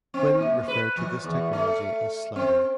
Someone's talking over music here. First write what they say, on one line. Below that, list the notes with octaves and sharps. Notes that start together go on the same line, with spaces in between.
Quinn referred to this technology as sliding.
C4
A#2
B4
F3
E2
A3
C4